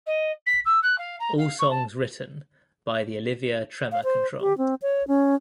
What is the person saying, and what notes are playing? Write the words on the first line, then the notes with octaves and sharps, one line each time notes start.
All songs written by The Olivia Tremor Control.
D#5
B6
E6
F#6
F5
A#5
F5
C#6
A5
F5
C5
G4
C4
C#5
C#4